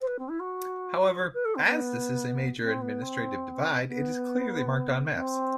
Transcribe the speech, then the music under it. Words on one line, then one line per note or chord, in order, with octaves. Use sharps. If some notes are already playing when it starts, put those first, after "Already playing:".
However, as this is a major administrative divide it is clearly marked on maps.
C5
B4
C4
E4
F#4
B4
A4
C4
B3
C4
B3
C4
B3
C4